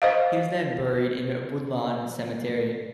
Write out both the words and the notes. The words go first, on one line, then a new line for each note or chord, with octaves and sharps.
He was then buried in Woodlawn Cemetery.
C5 D#5 F5